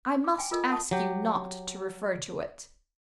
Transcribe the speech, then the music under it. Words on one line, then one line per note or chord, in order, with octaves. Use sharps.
I must ask you not to refer to it.
D6
G5 G#5
F4 A4 A#4 D#5
F#5 A5 D#6
F#3 G4